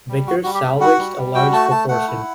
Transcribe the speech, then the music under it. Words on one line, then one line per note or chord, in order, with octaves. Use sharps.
Vickers salvaged a large proportion.
G3
F#4
G3 F#4
G4
G3
F#4 F#5
G3
G3
F#4 G5
A3 A5
A3 A5
A3 F#5
E4